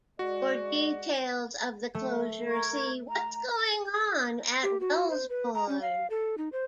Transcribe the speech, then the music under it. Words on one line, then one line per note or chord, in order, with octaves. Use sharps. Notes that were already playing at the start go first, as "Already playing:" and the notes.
For details of the closure, see 'What's Going on at Wellesbourne?'.
G#3 F#4 D5
A3
A#4 C#6 G#6
A#5
G4
F#4
C5
B4
A#5
C#4
F5
A4
D#4
C5